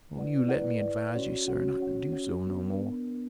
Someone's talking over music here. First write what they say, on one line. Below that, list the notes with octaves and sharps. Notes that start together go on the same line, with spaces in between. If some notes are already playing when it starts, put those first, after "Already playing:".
Won't you let me advise you, sir, not to do so no more?
E4 B4 D5 F#5
E4 B4 D5 F#5
E4 B4 D5 F#5
C#4 F#4 C#5 F#5
C#4 F#4 C#5 F#5
C#4 F#4 C#5 F#5
C#4 F#4 C#5 F#5
B3 D4 A#4
B3 D4 A#4
B3 D4